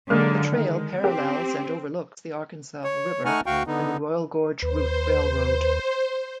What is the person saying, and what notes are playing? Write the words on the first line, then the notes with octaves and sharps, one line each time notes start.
The trail parallels and overlooks the Arkansas River and the Royal Gorge Route Railroad.
D3 F#3 G#3 A#3 F6
D#3 G#3
C4 G4
C#5
A3 D#4 F#5 G#5 C#6 F6
D2 F#4 F5 G5 C#6
D3 B3 D#4
D#2 B4 C5